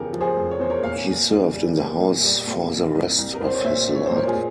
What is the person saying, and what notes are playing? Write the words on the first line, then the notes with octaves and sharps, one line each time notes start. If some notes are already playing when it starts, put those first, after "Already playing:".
He served in the House for the rest of his life.
Already playing: E2 C#3 F3 G4 A#4
F3
G#4 C5
F1
C#5
E2 C5
A#4 C#5
A#2 C#5 F5
A#1
A#1
G3
A#3
A#2
G3
A#2
A#3
C2
C2
A#4
C2 C5
C#5
A#2 C5 E5
A#2
C#5
C5
A#2 A#4 C#5
F4 G#4
A#2